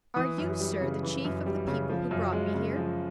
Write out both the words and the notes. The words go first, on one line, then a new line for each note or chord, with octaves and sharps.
"Are you, sir, the chief of the people who brought me here?"
E3 D#6
F#2
G3
C#3
E3
F#2
G3
C#3
F3
F#2
G#3
C#3
F3